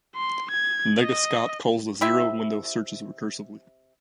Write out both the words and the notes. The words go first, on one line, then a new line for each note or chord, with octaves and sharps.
NegaScout calls the zero-window searches recursively.
C6
G#6
D#5
C3 E4 E5